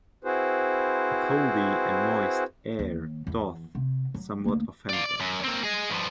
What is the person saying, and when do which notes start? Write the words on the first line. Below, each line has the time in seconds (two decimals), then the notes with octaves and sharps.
The colde and moyst aire doth somewhat offend them.
0.24 C4 E4 F#4 G#4 B4 C5
2.79 D#2
3.27 E2
3.75 C3
4.14 F#3
4.45 D2 A#3
4.90 D5 F5
5.06 D5
5.20 F#2
5.44 A#3 C4
5.63 G#4 D#5
5.90 G2 F3